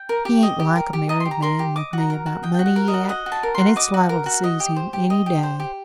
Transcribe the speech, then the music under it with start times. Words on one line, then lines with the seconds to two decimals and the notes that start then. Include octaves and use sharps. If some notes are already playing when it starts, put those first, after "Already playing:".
He ain't like a married man with me about money yet, an' it's liable to seize him any day.
Already playing: G5
0.09 A#4
0.25 G4
0.43 D#5
0.60 G4
0.76 A#4
0.93 G4
1.09 D#5 A#5
1.20 C6
1.25 G4
1.31 A#5
1.42 A#4 C6
1.59 G4
1.76 D#5 D6
1.93 F#4 A#5
2.10 A#4
2.26 F#4
2.43 D#5 G5
2.54 F#4 G5
2.66 F#5
2.76 A#4
2.88 D#5
2.94 F#4
3.09 D#5 F#5
3.26 F#4
3.32 A5
3.43 A#4
3.54 F#4 C6
3.76 D#5 D6
3.94 F#4
4.09 A#4
4.26 F#4
4.44 D#5
4.60 G4
4.76 C5
4.93 G4
5.10 D#5
5.26 G4
5.43 C5
5.60 G4